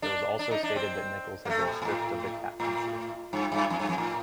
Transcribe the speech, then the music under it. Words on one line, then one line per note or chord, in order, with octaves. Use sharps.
It was also stated that Nicholls had been stripped of the captaincy.
D4
D4
D#4
D4
C4
A#3
A3
C3
A#2
A#2
A2
A2
G2
G2
F2
G2
F2
A2